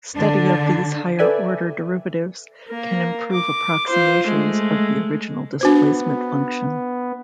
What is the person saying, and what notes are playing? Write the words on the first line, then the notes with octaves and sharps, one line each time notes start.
Study of these higher order derivatives can improve approximations of the original displacement function.
D3 D4
A4 B4 D5 E5 G5 G#5
A#3 A#4
D6
F4 C5
G#3 A3
B3 D4 F#4 C5